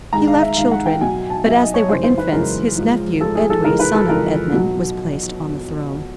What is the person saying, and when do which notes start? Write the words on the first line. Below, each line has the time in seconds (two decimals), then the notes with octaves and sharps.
He left children; but as they were infants, his nephew Edwy, son of Edmund, was placed on the throne.
0.12 G#2 D#3 G#3 A#5
0.27 F5
0.42 E5
0.56 G#2 D#3 G#3 F5
0.71 F#5
0.86 G5
1.01 B2 F#3 G#5
1.30 A5
1.44 B2 F#3 E5
1.59 D#5
1.74 C#5
1.88 F#2 C#3 E3 G#3 C5
2.04 C5
2.18 B4
2.32 F#2 C#3 E3 G#3 A#4
2.76 G#2 F3 G#3
3.21 G#2 F3 G#3 A4
3.35 G#4
3.50 A4
3.64 F2 C#3 E3 G#3 A#4
3.79 B4
3.94 A4
4.09 F2 C#3 E3 G#3 A#4
4.53 B2 F#3